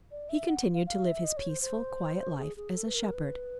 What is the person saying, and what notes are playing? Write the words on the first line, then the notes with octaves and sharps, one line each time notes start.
He continued to live his peaceful, quiet life as a shepherd.
D5
E5
F#5
F5
F5
E5
D#5
C#5
C5
C5
G#4
G#4
A4
B4
A#4
B4